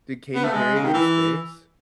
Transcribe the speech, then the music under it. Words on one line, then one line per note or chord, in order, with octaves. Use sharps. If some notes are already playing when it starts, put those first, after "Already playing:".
Did Katy Perry go to space?
B3
A3
G#3
C#3
D#3
E3